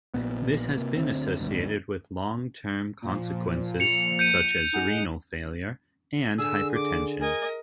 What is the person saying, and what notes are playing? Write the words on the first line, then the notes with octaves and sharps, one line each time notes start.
This has been associated with long-term consequences such as renal failure and hypertension.
A#1 E2 A#2 B3
C3 A#3
D2 D3 C4
G#1 D2 G2 B2
A#2 F3
C#7 F7
G6 C#7 D#7
D#4 G#4 F#5
D3 G#4 E6
D6
A#4 D#5 G#5